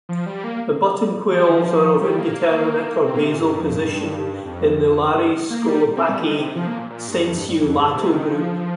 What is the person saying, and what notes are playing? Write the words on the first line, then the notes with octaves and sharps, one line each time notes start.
The buttonquails are of indeterminate or basal position in the Lari-Scolopaci "sensu lato" group.
F3
G3
A#3
F3
G3
D#3
F3
G3
A#3
C4
A#3
C3
A#2
G2
F2
G2
F2
G2
A#3
G3
C4
G3
D#3
C3
F3
A#3
A#2
A#2
G2
F2
G2
G2
F2
G2
C3
D#3
F3